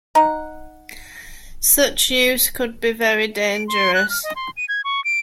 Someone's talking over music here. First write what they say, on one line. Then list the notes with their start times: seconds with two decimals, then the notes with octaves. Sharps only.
Such use could be very dangerous.
0.15 D#4 F#5
3.54 D7
3.68 C6
3.94 F#6
4.10 F6
4.23 D#5
4.36 C6
4.57 D#7
4.69 G#6
4.84 C#6
5.04 D7